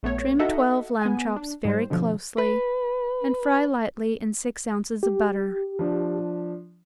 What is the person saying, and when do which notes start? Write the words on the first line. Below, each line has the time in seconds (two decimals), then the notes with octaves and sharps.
Trim twelve lamb chops very closely and fry lightly in six ounces of butter.
0.03 A#1 A3 B3 C#5
0.39 D#4 F#4 A4 D#5 E5 F#5
1.01 B3 G#5
1.36 D4
1.65 G#2 G3 C5
1.90 G2 B2 D3 F3
2.38 B4
5.03 G4
5.79 F3 D4